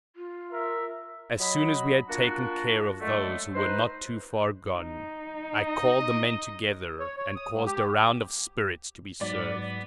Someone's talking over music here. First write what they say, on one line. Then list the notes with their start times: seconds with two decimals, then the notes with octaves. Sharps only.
As soon as we had taken care of those who were not too far gone, I called the men together and caused a round of spirits to be served.
0.16 F4
0.52 A#4 E5
1.39 F#3 D#5 B5
2.09 A#3 D4 F4 F#4
3.01 D3 F#3 G#3 A3
3.55 D#4 B4 C5
4.77 D#4
5.57 D#5
7.00 C#5
7.17 C#5
7.36 D#6
7.51 G#2
7.66 G4
9.21 G#2 F#3 B3 D5